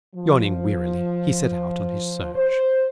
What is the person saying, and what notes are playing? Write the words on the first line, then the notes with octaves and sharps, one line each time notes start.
Yawning wearily he set out on his search.
F3
C5